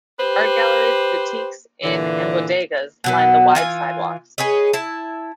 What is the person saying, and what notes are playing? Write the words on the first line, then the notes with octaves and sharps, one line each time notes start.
Art galleries, boutiques, inns and Bodega's line the wide sidewalks.
G4 B4 C5
A#2 D3 E3
B2 F#3 B3
E3 F4 G#5
G#4 B4 C#5 D#5
E4 A5